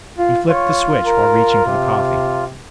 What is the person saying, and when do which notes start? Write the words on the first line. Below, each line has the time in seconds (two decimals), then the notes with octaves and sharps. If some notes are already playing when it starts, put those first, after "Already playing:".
He flipped the switch while reaching for the coffee.
0.18 F4
0.49 F4 C#5
1.04 A#4
1.66 C3